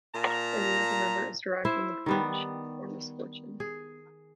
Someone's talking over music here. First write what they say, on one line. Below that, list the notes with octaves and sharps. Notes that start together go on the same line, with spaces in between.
The name of the river is derived from the French for misfortune.
A#2 F5 A5 A#5
E4 C5 E5
D#3 G3 B3
G#4